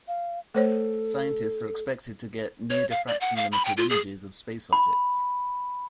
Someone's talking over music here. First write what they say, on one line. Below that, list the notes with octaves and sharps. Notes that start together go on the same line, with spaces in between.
Scientists are expected to get near diffraction-limited images of space objects.
F5
A3 A4 C5 C#5
C#5
F5
D5
F#5
F5
B5
G5
F4
G#4
B5